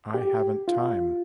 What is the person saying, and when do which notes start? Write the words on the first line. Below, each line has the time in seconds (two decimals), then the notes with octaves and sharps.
I haven't time.
0.14 G4
0.68 F4